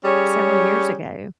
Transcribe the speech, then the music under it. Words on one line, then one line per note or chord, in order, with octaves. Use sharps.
several years ago,
G3 C#4 G#4 C#5